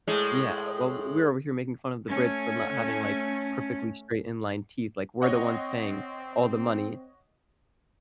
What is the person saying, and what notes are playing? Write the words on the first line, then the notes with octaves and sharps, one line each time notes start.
Yeah, well, we're over here making fun of the Brits for not having, like, perfectly straight inline teeth, like, we're the ones paying all the money
A2 G#3
A3 C#4
C4 C#5 D#5 F#5